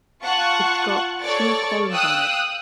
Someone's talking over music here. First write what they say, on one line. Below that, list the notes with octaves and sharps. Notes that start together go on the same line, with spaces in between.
It's got two columns on it.
F4 F#5 A5 C#6
A4 C#5 D5 C#6 A6
F5 G5 D#6 E6 F#6